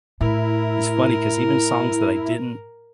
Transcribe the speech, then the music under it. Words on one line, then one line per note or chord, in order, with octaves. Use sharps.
It's funny 'cause even songs that I didn't
A2 E4 A#4